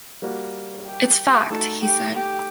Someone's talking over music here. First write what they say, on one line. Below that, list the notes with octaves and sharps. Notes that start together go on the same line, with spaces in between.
"It's fact," he said.
G3 A#3 F#4
G4
A3 D#4 F#4 A4
G4
G4